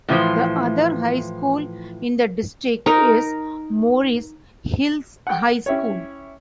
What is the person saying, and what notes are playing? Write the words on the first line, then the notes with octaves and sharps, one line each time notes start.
The other high school in the district is Morris Hills High School.
A2 E3 F3 C5
D#4 A#4
F#5 G5
C#4 E4 G4 C#5